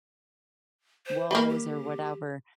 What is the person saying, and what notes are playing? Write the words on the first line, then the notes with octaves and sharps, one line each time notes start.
woes or whatever.
C5
G3 A#3 D#5
G4